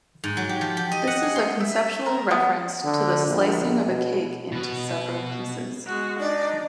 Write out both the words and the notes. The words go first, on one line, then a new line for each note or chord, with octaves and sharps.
This is a conceptual reference to the slicing of a cake into several pieces.
G#2
F#3
G4
F3
G4
D#5
F#5
G#4
C6
E5
A#4
B3
D3
A#1
B2
B2 B4
G#3 F#4
D4 D#4 D5